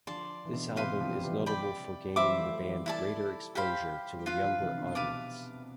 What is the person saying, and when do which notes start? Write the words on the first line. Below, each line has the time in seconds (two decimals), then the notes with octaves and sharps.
This album is notable for gaining the band greater exposure to a younger audience.
0.07 D3 F3 D5 A5 C6
0.45 E3
0.54 B2 D3
0.76 C3 E3 G4 B4 F5 C6
0.95 G3
0.99 D3 F3
1.23 E3 G3
1.46 D5 G5 B5
2.16 E3 G3 C5 E5 B5 D6
2.40 F3 A3
2.62 E3 G3
2.86 E4 A4 D5 A5
3.55 G4 C5 F5 B5
4.15 G3
4.25 D3 F3 F4 B4 F5
4.43 D3 F3
4.60 C3 E3
4.77 B2 D3
4.95 B4 F5 A5 D6